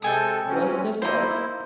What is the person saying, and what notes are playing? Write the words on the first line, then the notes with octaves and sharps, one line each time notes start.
Wasn't it hard?
C3 G#3 A4 G5 G#5 D#6
F#3 C4 C#4
A#3 D#4 E4 C5